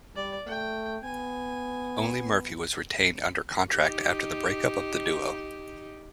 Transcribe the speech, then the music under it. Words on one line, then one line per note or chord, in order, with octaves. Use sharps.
Only Murphy was retained under contract after the breakup of the duo.
G3 D5
A3 G5
B3 G#5
D#4 G4